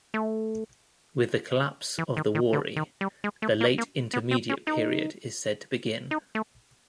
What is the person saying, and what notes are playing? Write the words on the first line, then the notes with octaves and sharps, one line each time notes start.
With the collapse of the Wari, the Late Intermediate Period is said to begin.
A3
E3
D#3
D#3
D3
D#3
G3
G#3
A3
A#3
A#3
B3
C4
C#4
D#4
D#4
A3